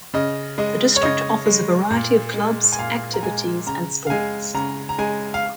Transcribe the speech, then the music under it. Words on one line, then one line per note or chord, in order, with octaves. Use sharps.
The district offers a variety of clubs, activities and sports.
C#3 D#5
G#3 D#5
C#5
C#3 D#5
G#3
A#2
G#3
G#5
A#2 F5
A#5
G#3 G#5
C#3 A#5
F5
G#3 G#5
C#3 A#5
A#5
G#3 G#5
F5